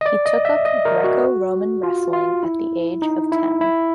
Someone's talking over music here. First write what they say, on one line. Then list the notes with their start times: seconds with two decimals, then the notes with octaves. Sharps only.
He took up Greco-Roman wrestling at the age of ten.
0.01 D#5
0.06 D5
0.26 D#5
0.45 E5
0.65 D#5
0.85 A#4
1.04 F#4
1.83 F4
2.13 F4
2.43 E4
3.02 D#4
3.32 E4
3.61 E4